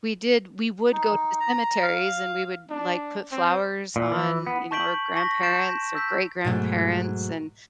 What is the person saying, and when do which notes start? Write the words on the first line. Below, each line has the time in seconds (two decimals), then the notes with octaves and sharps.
we did we would go to the cemeteries and we would, like, put flowers on, you know, our grandparents or great grandparents, and,
0.92 D#4
1.40 A#5
1.82 F5
2.70 D4
3.32 C4
3.96 A#2
4.12 E3
4.47 B3
4.71 A5 C#6 G6 B6 D7 F#7
5.16 A5 C#6 A#6 B6
5.43 A5 C6 G6 D7 E7
5.95 E6 G6 B6
6.45 G#2 B2 F#3 G3 A3